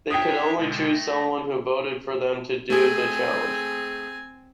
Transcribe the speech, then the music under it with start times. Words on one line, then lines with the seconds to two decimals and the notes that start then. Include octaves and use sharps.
They could only chose someone who voted for them to do the challenge.
0.10 D4 C#5 E5 G5 D#6
0.57 B2 D3 G#3
0.92 A3 A#6
2.70 A3 C4 G#4 G#5